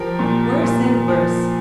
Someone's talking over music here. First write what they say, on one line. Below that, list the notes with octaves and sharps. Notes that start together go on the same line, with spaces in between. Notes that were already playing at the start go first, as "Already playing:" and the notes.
"Worse and worse."
Already playing: F3 G4 A#4
A#2
A#2
F3